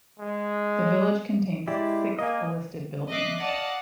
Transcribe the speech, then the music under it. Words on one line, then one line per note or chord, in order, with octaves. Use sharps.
The village contains six listed buildings.
G#3
G#3 E4 G4 D5
A#3 D#5 G#5
D#5 E5 D6 F#6 C7
D5 D#5 F5 F#5 A5